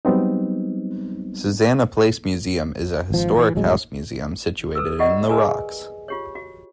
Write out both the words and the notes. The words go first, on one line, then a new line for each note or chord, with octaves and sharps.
Susannah Place Museum is a historic house museum situated in The Rocks.
F#3 G3 B3 C4 D#4
G#1 F3
E3
D#1 A1 F#3 G#3
A4 B4 E6
F4 G4 D5 D#5 F#5
G#4 A#4 B4 G#5
F4 G4 C#5
F#4